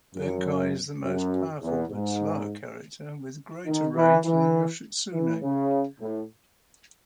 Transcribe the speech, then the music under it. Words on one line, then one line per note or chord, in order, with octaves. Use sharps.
Benkei is the more powerful but slower character, with greater range than Yoshitsune.
F#2
F#2
E2
G#2
D#3
E3
E3
E3
C#3
A2